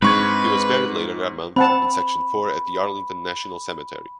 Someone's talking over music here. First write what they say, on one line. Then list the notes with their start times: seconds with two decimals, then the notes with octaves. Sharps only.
He was buried later that month in section four at Arlington National Cemetery.
0.02 G#2 G#3 C4 D4 B4 C#6 G#6
1.56 C4 F#5 A5 B5